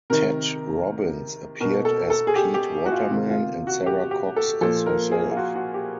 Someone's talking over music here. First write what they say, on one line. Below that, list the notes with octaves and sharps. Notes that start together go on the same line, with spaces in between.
Ted Robbins appeared as Pete Waterman, and Sara Cox as herself.
C3 D#3 A#4
B2 A#4
A4
A4
G#4
G4
G4
F#4
F4
C3 D#3 F4
F4
F#4
G4
G4
A4
A#2 F3 A4
A#4
G#4
F4
F#4
F#4
G4